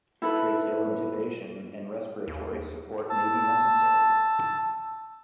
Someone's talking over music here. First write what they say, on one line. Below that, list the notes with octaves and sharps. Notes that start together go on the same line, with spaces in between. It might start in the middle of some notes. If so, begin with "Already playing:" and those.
Tracheal intubation and respiratory support may be necessary.
E4 A4 B4
D#2
A5 E6